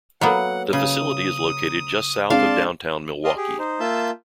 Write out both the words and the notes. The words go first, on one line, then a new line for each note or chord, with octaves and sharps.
The facility is located just south of downtown Milwaukee.
F#3 A#3 B3 A4 F#5 A#5
C#3 D#6
G#3 C4 D4 D5 F5 A5 C6
D5 D#5 A5 C6 D#6 F6
G4 G#4
D#4 C5
A#3 F4 E5 A5 E6 G6